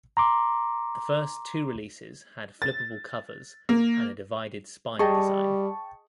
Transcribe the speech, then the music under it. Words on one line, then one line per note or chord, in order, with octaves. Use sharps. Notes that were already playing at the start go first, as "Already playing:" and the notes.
The first two releases had flippable covers and a divided spine design.
A#5 C6 D6
A6
A#3
G3 G#4 D#5 G5 A5 C#6